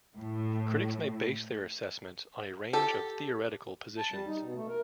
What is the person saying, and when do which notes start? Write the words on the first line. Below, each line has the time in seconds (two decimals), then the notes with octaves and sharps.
Critics may base their assessment on a range of theoretical positions.
0.15 A2
2.73 G4 A4
3.98 A5
4.12 G3
4.27 D#4
4.42 B2
4.55 A3
4.68 A#4